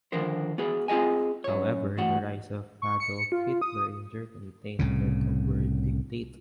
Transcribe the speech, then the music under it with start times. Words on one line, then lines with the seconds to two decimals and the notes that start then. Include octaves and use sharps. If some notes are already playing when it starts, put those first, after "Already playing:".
However the rise of Adolf Hitler in Germany tainted the word 'dictator'.
0.12 D3 D#3 F3 A#4 C5
0.58 B3 F#4 G#4 B4
0.88 C4 F4 G#4 D#5 G#5
1.44 F#2 C#5
1.97 E2 A2 F#4
2.82 C#6
3.00 C#7
3.32 F4
3.61 D#6
4.79 C2 A2 C#3